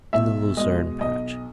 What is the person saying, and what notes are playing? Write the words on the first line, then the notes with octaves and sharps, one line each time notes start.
In the Lucerne Patch.
B1 E5
B2 G#3 D#5
B1 D#5